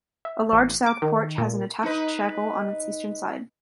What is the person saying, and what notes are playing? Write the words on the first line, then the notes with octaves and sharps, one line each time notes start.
A large south porch has an attached chapel on its eastern side.
E5
A1
D6
D#3
A#2
D#4 B4